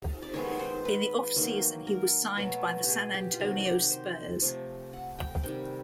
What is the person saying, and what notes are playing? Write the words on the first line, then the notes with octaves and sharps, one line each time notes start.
In the offseason he was signed by the San Antonio Spurs.
D5
D#3 G#3 B3 C#5
C5
B4
D#3 F#3 A#3
A#4
B2 F#3 A3
G4 G#4
G4
F4
C3 D#3 F#3 F#4
F#4 G4
C5
C3 F3 A3
F#5
G5
C3 D#3 G3 G5